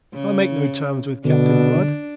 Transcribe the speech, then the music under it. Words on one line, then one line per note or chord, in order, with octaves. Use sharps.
I make no terms with Captain Blood.
C#3
B2 D3 D4